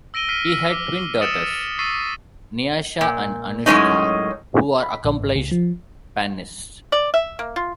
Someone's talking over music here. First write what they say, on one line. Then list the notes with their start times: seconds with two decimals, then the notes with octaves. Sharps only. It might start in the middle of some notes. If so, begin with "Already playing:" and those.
He had twin daughters, Niasha and Anuska, who are accomplished pannists.
0.14 E6 A#6 D7 D#7 G7
0.29 F6 B6 C7 D#7 G7
0.46 E6
0.71 D6
1.21 D#6 E6 A6 C#7 D7 E7
1.79 C#6 E6 A6 B6 C7 D#7
3.01 A#2
3.66 F#2 A2 D#3 G#3 C#4 D#4
4.83 B5
5.05 A#1
5.20 G#1
5.35 C#2
5.51 F3
6.92 D5
7.14 E5
7.39 A#3
7.56 F4